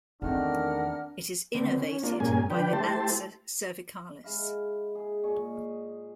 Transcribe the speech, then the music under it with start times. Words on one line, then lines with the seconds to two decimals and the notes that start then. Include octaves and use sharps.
It is innervated by the ansa cervicalis.
0.22 E2 D#3 A3 C4 D4 A#4 F#5 F6
1.55 D3 B3 C4
1.78 C#4
2.03 A#3 D4 F4
2.20 G2 A#2 A#3 C#4 G#4 G#5
2.50 D3 F3 D4 B4 G5
2.73 A3 E4 G4 C5 A5
4.24 G#3 E4 F5
4.95 G#4
5.23 A#2 G#4 D#5 C#6